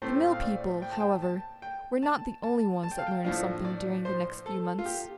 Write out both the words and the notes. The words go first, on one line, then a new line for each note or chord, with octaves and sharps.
The mill people, however, were not the only ones that learned something during the next few months.
A2 A3 C4 C5
F5
D5
G5
A5
G5
A5
G5
A5
A5
A5
G5
F5
G5
A2 F3 D4 F5
D5
C5
A4
F4
G4